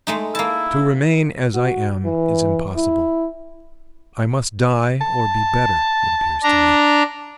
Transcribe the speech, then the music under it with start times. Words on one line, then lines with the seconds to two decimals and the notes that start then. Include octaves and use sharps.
To remain as I am is impossible; I must die or be better, it appears to me.
0.07 G#3 A3 D#4
0.35 A#3 E4 A5
1.54 F#4
2.05 E3
2.77 E4
5.01 A5
6.43 D4 A#5